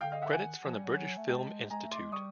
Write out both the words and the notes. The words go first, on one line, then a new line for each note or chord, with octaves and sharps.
Credits from the British Film Institute.
D3 F5 G5
D#5 F5
E5 F#5
F#5 G#5
D#3
F3
G3
F#3
A3
G#3 G5 A5
G#3 G#5 A#5
A3
C6 D6
G#3
G3 C#6 D#6